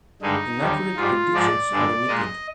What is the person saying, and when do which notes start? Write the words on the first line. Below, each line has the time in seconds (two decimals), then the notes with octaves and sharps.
Inaccurate predictions are omitted.
0.22 G2 D3 G#3 D#4
0.59 D#2 D3 G3
0.96 G#2 G3 F4
1.34 G#2 F3 G#3 D5
1.71 G2 D3 G#3
2.08 A#2 G#3 D#5